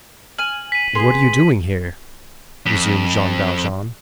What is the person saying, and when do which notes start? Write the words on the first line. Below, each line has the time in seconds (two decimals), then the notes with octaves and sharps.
"And what are you doing here?" resumed Jean Valjean.
0.38 G#5 F6 F#7
0.72 B6 D#7
0.95 B3 G#4 C6
2.66 F2